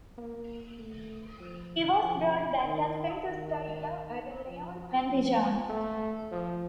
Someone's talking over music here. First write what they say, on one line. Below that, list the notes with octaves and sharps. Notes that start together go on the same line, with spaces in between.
He was brought back and sent to study law at Lyon and Dijon.
A#3
A3
F3
F3
D#3
D#3
F3
F3
A3
F3